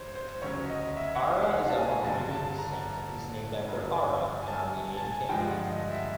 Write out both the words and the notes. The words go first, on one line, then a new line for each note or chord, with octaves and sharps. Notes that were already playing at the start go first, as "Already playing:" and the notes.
Ara is of Armenian descent, and is named after Ara, an Armenian king.
Already playing: G2 C5 C#5
C5
D2 C#3 F#3 C#5
D#5
E5
F#5
F5
F5
F#5
A5
G#5
G2 D3 F#3 A5
A5
A#5
G2 D3 F#3
G#5
A5
G#5
A5
G#5
G2 D3 F3 G#3 G5
F#5
D#5
E5